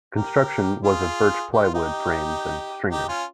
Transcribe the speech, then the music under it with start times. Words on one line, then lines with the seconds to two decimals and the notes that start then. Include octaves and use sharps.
Construction was of birch plywood frames and stringers.
0.15 G4 A#4
0.84 F4 G#4
1.53 G4
1.63 F4
1.74 D#4 G4
2.91 D#4 G4
3.08 C#4 F4